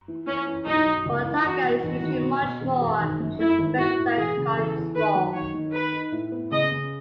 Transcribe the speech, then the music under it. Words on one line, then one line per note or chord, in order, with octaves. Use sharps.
Bottarga is usually much more expensive than cod's roe.
E3
E3 C#4
E3
B1 D#4
B1
C#2
E3
E2 F#4
B2
A1 F#4
D#3
B2
B2
E1
E1
G#1
F#2
A3 E4
G#1
A2 F#4
A2
E1 G#4
C#3
E2 A4
E2
D#3 B4
F#3
D#3 C#5
D#3
D#4 B4
D#4
A2
B3
C#3 D#5
C#3